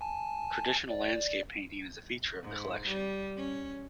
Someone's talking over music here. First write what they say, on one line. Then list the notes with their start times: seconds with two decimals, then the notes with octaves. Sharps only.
Traditional landscape painting is a feature of the collection.
0.01 G#5 A5
0.90 D5
2.42 G#2
2.88 G3
3.37 C#4